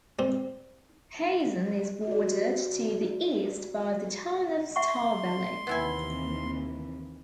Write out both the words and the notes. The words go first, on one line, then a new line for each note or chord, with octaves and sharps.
Payson is bordered to the east by the town of Star Valley.
G3 C4
F#4 D5
E5 F#5 C6 C#6
D#2 C3 E3 B3 E4 G#5